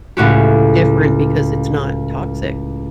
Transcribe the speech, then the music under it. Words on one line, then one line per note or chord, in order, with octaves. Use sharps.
different because it's not toxic.
C#2 A2 F#4 G4